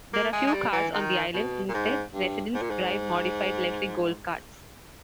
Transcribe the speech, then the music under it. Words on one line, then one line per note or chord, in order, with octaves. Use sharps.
There are few cars on the island; instead, residents drive modified electric golf carts.
A#3
G#3
G#3
G3
E3
D#3
B2
A#2
G#2
G2
G#2
A#2
G#2